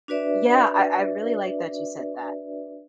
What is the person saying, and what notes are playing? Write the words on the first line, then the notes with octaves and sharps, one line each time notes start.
yeah, I I really like that you said that,
D4 F#4 B4 D5 E5